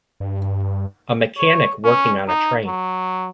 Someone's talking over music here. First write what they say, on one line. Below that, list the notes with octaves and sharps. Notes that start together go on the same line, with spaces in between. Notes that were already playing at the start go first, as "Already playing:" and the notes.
A mechanic working on a train.
G2
C#5
C#4
D#4
F#3